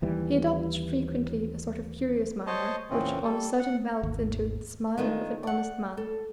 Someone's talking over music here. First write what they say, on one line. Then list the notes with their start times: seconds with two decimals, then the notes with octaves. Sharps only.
He adopts frequently a sort of furious manner which on a sudden melts into the smile of an honest man.
0.02 D#2 E3 G3
2.47 C5 C#5 D#5 A5
2.90 E2 A#2 C#3 E3 C4 C#4
3.24 G3 A4
3.59 F#5
4.03 G#1 D#2
4.98 D#3 G#3 A3 D4 F4
5.43 D5 F#5
5.97 A4